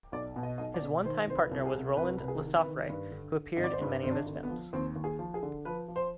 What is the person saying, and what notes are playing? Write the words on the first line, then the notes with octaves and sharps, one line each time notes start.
His one-time partner was Roland Lesaffre who appeared in many of his films.
B1 D5
B2
D#5
B1 D#5
D5
B2
D#3 C5
C2 C5
B4
C2
G4
G#4
C3
C2 B4
C3 B4
G#4
D#3
B4
D#3
G2 B4
D3
D3
G#1 D#5
D5
C5
G2 B4
G#1 C4
D4
D3
B3
F3
D#2 C4
D#2
G#4
F3
G#4
D3
F3 B4
F3
C5